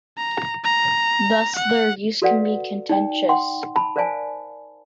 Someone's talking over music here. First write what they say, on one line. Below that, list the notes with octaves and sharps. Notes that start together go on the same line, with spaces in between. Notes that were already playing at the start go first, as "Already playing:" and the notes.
Thus their use can be contentious.
A#5
A#5
F#5
F#4 A4 B4 D5 F5 F#5
D#4 D5 G5
F#5 G5 C6
A5 B5
A#4 C5 D5 F5 G#5 A5